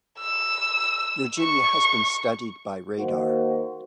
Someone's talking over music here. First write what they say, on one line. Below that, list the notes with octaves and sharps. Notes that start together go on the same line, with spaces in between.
Virginia has been studied by radar.
E6
C#6
D#3 A#3 F#4 C5